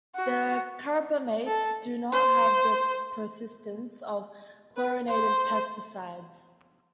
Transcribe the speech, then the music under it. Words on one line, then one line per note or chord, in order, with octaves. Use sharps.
The carbamates do not have the persistence of chlorinated pesticides.
F#4
A4
C5
B4
C5